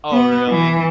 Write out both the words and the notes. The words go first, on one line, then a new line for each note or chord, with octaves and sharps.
Oh, really?
B3
E3